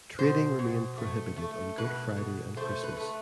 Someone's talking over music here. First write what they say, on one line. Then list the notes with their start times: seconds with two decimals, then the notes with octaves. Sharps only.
Trading remained prohibited on Good Friday and Christmas.
0.19 B2 C5
0.59 B2
0.98 A3
1.37 A3
1.78 B2 B4
2.17 B2
2.57 A3 C5
2.83 B4
2.96 A3